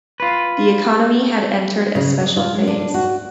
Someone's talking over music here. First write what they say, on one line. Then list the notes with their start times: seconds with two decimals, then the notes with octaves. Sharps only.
The economy had entered a special phase.
0.20 F4 B4
1.95 C#3
2.21 D4
2.37 F4
2.54 G#3
2.67 D4
2.94 F#4